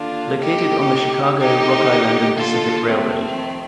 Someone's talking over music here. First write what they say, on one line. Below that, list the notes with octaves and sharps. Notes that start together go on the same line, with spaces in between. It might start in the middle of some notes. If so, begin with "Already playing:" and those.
Located on the Chicago, Rock Island and Pacific Railroad.
Already playing: D#2 D3 D4 F4
D#4 G4
D#2 D3 D#4 G4
F4 A4
A3 C4
F2 C3 D#3